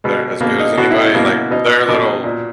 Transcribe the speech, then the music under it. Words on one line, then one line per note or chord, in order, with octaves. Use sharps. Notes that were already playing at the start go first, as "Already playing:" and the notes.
better as good as anybody, and, like, their little
B2 G#3
B2 A#3
D#4
B2 F#4
E4
D#4
B2 A#3
B2 D#4
B2 D#4
A#2